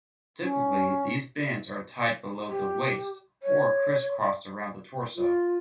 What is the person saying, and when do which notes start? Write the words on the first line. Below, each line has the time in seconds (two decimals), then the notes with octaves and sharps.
Typically these bands are tied below the waist or crisscrossed around the torso.
0.42 C#4
2.47 G4
3.43 C#5
5.16 F4